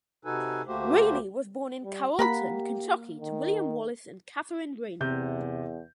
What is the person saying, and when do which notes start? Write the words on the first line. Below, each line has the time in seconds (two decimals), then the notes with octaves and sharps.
Raney was born in Carrollton, Kentucky, to William Wallace and Katherine Raney.
0.25 C3 D#4 F#4 A4 B4 G#5
0.67 D2 A3 A#3 F#4 G4 C5
1.84 G3
2.19 A#3 G4 A#4 F#5 B5
3.21 D#3
5.01 E2 C3 G6